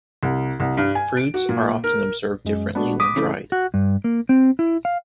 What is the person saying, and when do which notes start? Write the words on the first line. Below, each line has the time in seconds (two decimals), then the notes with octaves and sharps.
Fruits are often observed differently when dried.
0.23 C2
0.60 C2
0.77 G2
0.95 G#5
1.17 D7
1.34 F#4
1.49 A#2
1.84 A#4
2.45 F#2 G#3
2.75 G#3 B3 D4 F#4
3.00 D6 D#6 B6
3.16 C#3 E3 A3
3.52 F#4
3.74 G2
4.04 A#3
4.29 C4
4.59 E4
4.85 F5